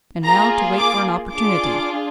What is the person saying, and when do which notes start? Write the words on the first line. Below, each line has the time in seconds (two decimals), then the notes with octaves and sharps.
And now to wait for an opportunity!
0.24 A#3 F4 G#4 A#5
0.78 D6
1.32 D4 F4 G#4 D6